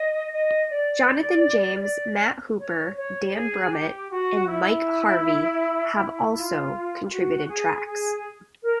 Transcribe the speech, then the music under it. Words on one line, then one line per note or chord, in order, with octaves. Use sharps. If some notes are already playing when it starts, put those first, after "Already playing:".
Jonathan James, Matt Hooper, Dan Brummitt and Mike Harvie have also contributed tracks.
Already playing: D#5
D#5
D5
D5
C#5
C#5
G#4
G4
F#4
E4
F4
F4
F#4
G#4
G#4
A#4